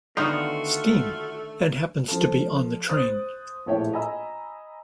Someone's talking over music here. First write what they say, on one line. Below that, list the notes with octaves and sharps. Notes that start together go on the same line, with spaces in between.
Steam, and happens to be on the train.
D3 D#3 A3 B3 D#4 F4 F#4
F3 A4
C5 D#6 F#6 A6
A#1 A2 A4 C#5 E5 G5
D#5 G#5 A#5 B5 E6